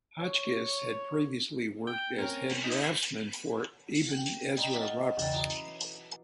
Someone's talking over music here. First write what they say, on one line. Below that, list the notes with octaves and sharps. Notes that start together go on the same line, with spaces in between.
Hotchkiss had previously worked as head draftsman for Eben Ezra Roberts.
C#5
G5
C4 C#4 A#4
D#4
G5
D5 D#5 G5 A#5 B5 C#6
D#5 F5 F#5 G#5 A5 E6
B1 E2 C#3 G5 A6
E4 F#4 A#5 D6 D#6
B4 B6 C7